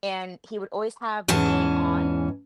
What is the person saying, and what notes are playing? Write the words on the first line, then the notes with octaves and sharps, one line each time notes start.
and he would always have the game on,
E2 G#2 E3 C#4 A5